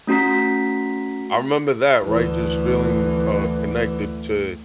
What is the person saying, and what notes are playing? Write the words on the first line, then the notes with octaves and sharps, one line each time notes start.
I remember that, right? Just feeling, uh, connected to
A3 C#4 F#4 A#5 B6
D2 E3